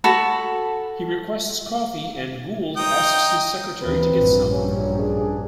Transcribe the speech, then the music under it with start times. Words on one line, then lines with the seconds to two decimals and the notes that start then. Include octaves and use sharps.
He requests coffee and Gould asks his secretary to get some.
0.04 F#4 A4 A5 B5
2.77 D#4 G5 D#6
3.82 D#2 E3 C4 B4
4.16 A#1 G2
4.51 F#3 G3 C#4
4.98 D4 G#4